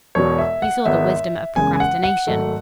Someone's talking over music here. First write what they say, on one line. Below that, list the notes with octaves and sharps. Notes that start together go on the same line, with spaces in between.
He saw the wisdom of procrastination.
E1 E2 B2 C#5
E5
F#5
G#1 G#2 G#3 B3 E5
F#1 E2 C#3 G#3 G#5
G#5
F#5
F#5
G#1 G#2 F#3 A3